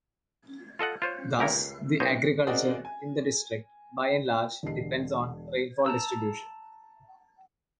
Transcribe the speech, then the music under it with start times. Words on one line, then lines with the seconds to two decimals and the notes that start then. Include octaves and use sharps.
Thus, the Agriculture in the district by and large depends on rainfall distribution.
0.79 F4 A4 D#5 F#5
1.02 F4 C5 C#5
1.39 C#2 G4 A#4 C#5
2.00 B1 B2 C5 C#5 D#5
2.47 C4 F#4 G#4 A#4 D5 D#5
2.85 G#5
4.63 E1 D3 G4 D#5 C7
5.86 A5 A#5 E6